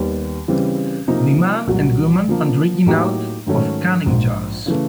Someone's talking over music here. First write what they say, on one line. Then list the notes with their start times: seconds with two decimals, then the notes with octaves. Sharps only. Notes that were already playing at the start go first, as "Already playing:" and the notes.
The man and woman are drinking out of canning jars.
Already playing: D#2 D#3 G3 B3
0.48 C#3 E3 G3 C4
1.08 C3 F3 A#3 D#4
1.67 C2 A#2 F#3
2.27 D3 F3 A#3
2.86 A2 F#3 A#3 D#4 G4
3.47 G#2 D#3 F#3 A3 C#4
4.06 A#1 G#2 F3
4.66 C#3 E3 A3